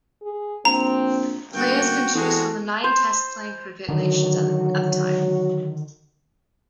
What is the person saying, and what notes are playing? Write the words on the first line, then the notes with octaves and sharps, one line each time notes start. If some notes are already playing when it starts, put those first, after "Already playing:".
Players can choose from the nine Test playing cricket nations at the time.
G#4
A#1 C4 A#5
G1 A#3 F#4 G5
E2 G#3 C4 F#4 A4
C5
D3 D#3 F#3 F#4